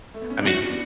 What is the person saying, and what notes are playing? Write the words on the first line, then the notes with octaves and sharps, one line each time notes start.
I mean,
A3
B3
C#4
D4
C#4 E4 F#4
B3 D4